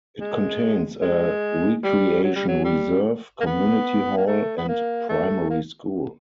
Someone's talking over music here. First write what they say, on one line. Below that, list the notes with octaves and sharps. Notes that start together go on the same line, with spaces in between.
It contains a recreation reserve, community hall and primary school.
G#3
G#3
G3
F#3
G3
F#3
G3
A#3
B3
A#3
A3
B3
A#3
A3
A#3